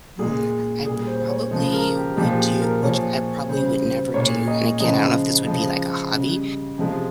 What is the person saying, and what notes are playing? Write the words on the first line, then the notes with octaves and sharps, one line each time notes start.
Hmm, uh, I probably would do which I probably would never do, and again, I don't know if this would be, like, a hobby,
A#2 G#3 G#4
A#2 G3 G#4
C5
C#5
C#3 F3 G#3
A#4
G4
A#2 F3 G#3 G4
G4
A#4
A#2 F3 G#3 C#5
C#3 G3 C5
C5
A#2 G#3 C#5
D#5
C#3 F3 G#3 D#5
C#3 F3 G#3
C#3 G3
C3 F3 G#3